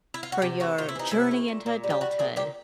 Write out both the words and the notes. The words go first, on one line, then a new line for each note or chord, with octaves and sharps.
for your journey into adulthood.
E4
F4
F#4
C3 G4
A3 F#4
C3 F4
E4
E3 D#4
C3 E4
A3
A#2
A#2
G3
G4
G3 F#4
A#2 G#4
A#2 G4